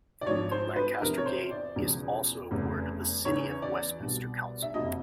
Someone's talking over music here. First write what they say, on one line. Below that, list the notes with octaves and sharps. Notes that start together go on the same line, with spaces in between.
Lancaster Gate is also a ward of the City of Westminster Council.
D5
G#1 G#2 F3 C#5
C5
B4
E2 C3 F3 A#4
C#5
C5
D5
E1 E2 C#3 F3
F1 E2 C#3
E2 C#3 E3 C#5
D5
C2 B2
E5
F#1 F2 C3 D#5